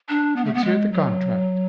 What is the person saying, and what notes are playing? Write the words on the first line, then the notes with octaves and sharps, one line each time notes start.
"Let's hear the contract!"
D4
B3
A3
B3
G#3
F#3